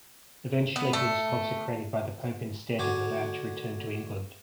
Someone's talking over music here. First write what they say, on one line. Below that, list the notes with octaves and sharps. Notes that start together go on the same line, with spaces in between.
Eventually, he was consecrated by the pope instead and allowed to return to England.
B3
A3
D3 F#4 G#5 D6